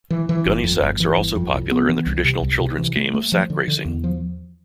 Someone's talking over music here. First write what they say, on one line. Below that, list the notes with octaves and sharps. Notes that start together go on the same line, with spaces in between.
Gunny sacks are also popular in the traditional children's game of sack racing.
E3
E3
G1
F2
G1
E3
G1
F2
C2
B3
E3
C2
C3
C2
C3
E3
A3
A3
F3
D3
D3
E2
F3